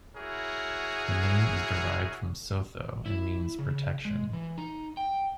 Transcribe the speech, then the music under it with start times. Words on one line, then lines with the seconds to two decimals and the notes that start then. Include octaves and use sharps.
The name is derived from Sotho and means 'protection'.
0.16 E4 F#4 G#4 A#4 C#5
3.06 E4
3.59 C#3
4.05 G#3
4.33 E3
4.58 D#4
4.97 G5